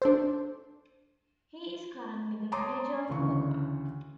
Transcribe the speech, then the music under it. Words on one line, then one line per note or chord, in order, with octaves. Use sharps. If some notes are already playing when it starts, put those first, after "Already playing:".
He is currently the manager of Haukar.
D4 A4 C5
C#5 A5 A#5 C6 D6 D#6
D2 C#3 E3 C#6